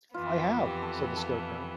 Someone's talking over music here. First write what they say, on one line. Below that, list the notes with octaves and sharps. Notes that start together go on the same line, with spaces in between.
"I have," said the Scarecrow.
F2 E3 B3 F4
G4
A4
B4
A4